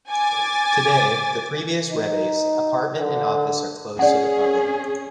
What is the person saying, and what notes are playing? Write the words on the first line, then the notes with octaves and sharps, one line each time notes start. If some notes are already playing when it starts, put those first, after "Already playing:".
Today, the previous Rebbe's apartment and office are closed to the public.
G#5 D6 A6
D#4
D3
C#4 G#4 D5 F#5